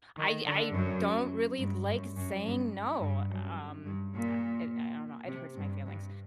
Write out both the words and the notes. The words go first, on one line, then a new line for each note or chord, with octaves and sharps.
I I don't really like saying no, um, uh, it I don't know, it hurts my feelings,
D#3
D3
F#2
G2
F#2
F#2
G2
G2
F#2
G2
A#2
C3
G2
G2